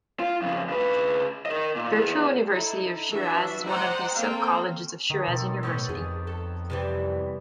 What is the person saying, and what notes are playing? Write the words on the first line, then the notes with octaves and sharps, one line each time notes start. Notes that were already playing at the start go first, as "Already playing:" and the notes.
Virtual University of Shiraz is one of the sub colleges of Shiraz University.
F4
F2 C#3
C#3 B4
A#4 D#5
A#2
E2 E3
D#4 E4 A4
E3 D4 F#4 E5
C5 D5 D#5 F#5 G5 A#5
A#3 C4 A4 F5 G5
D3 D#3
B2 C4 G4 A4
F#2 A2 B3 C#4 C#5 G5
F2 G#4
A4
C3 E3 G3